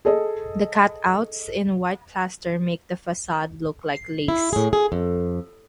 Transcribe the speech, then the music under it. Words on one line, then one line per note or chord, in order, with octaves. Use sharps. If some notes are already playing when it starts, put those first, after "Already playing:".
The cutouts in white plaster make the facade look like lace.
G#4 A4 D#5
E4
A2 G#4
G#4
F2